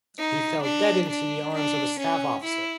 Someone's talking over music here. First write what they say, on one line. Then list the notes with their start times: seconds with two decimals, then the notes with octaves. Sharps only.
He fell dead into the arms of a staff officer.
0.19 D#4
0.63 D4
1.09 D4
1.54 D4
1.99 C#4
2.44 E4